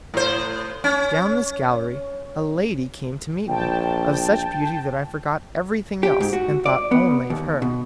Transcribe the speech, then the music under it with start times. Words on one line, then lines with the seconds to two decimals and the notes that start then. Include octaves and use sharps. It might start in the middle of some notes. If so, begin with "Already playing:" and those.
Down this gallery a lady came to meet me, of such beauty that I forgot everything else, and thought only of her.
0.14 A2 C5
0.84 C#4
3.48 A#1 G5 A5
6.03 G4
6.21 G#2
6.33 F#4
6.66 D5
6.92 B3
7.30 D#2
7.62 B2